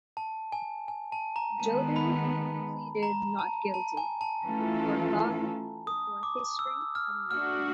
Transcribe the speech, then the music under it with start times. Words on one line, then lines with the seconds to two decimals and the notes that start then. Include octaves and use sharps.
Jodl pleaded not guilty "before God, before history and my people".
0.17 A5
0.52 G#5
0.88 G#5
1.12 A5
1.36 A#5
1.60 D#3 G#3 B3 A5
1.96 B5
3.03 A#5
3.39 A5
3.74 A5
3.97 G#5
4.21 A5
4.45 E3 A3 C#4 F4 A4
5.87 D#6
6.23 D6
6.59 E6
6.95 F6
7.30 A3 D4 F#4 F6